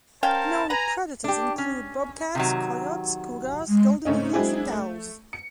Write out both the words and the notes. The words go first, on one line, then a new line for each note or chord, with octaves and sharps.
Known predators include bobcats, coyotes, cougars, golden eagles, and owls.
C#4 A#4 C5 F5 G5 A5
B4 F#5 G#5 A#5
D4 G4
C#4
C3 D#3 F#3
G#3
G#2 C#3 A3 C#4 D#4
F#3 G#3 C4 D4 E4 G#4
A3
C#7